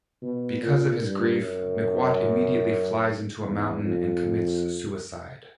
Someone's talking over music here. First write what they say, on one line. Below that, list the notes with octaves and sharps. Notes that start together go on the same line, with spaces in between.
Because of his grief, McWatt immediately flies into a mountain and commits suicide.
B2
A#2
G2
F#2
E2
F2